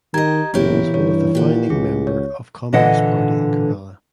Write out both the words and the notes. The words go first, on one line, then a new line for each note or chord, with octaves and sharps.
He was one of the founding member of Communist Party in Kerala.
D#3 G4 D#5 A#5 G#6
F#1 E3 B3 E4 G4 A#4 C#5
G2 C#5
A#2 F#4 G4
C#2 G#4
C#5
A#2 D3 E3 D#5 F#5